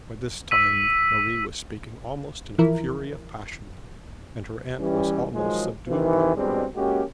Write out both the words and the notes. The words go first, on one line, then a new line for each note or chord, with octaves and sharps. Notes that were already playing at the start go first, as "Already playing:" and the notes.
By this time Marie was speaking almost in a fury of passion, and her aunt was almost subdued by her.
E6 B6 D#7
E3 F3 E4 A#4
E3 G3 C#4
D#3 F3 F#3 G#3
G#1 C3 D#3 E3
E2 B2 G3 G#3 C4 D4
G#3 A#3 C#4 F#4 G4